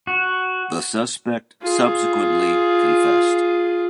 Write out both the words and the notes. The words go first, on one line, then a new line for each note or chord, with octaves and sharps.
The suspect subsequently confessed.
F#4
F4 G#4